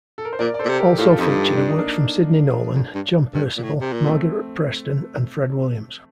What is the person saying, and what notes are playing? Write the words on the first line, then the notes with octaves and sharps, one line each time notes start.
Also featured are works from Sidney Nolan, John Perceval, Margaret Preston and Fred Williams.
A4
A#4
C5
A#2 A#4 D5
D5
A4 C5
A#2
C3
G4 A#4
A2 F4 A4
A4
F2 D#4 G4
G2
D4
D#4
A#3 D4
F2
G2
G2
A#2
A2
C3
A#2
A3 C4